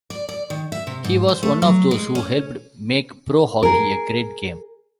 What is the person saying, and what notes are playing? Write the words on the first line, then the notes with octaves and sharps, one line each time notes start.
He was one of those who helped make pro hockey a great game.
D5
D5
D#3
E5
C3
G#2
C5
A3
F#3
G#3
C#4
G#4 A#4